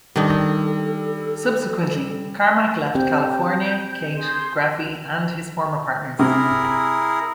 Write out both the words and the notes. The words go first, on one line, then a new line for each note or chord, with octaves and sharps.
Subsequently, Carmack left California, Kate, Graphie, and his former partners.
D#3 G3 D4 D#4 A4
C4 G4 G6
G#4 C6 G6
C3 E4 G#4 A#4